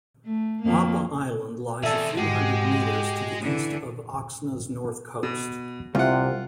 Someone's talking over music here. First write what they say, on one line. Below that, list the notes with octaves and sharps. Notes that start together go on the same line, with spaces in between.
Papa island lies a few hundred metres to the east of Oxna's north coast.
A3
F2 A#3
C3 E3 G#4 A4 D5 E5
G#2 G#3 F#4 G4
D3 E3
B2
C2 C3 F4 F#5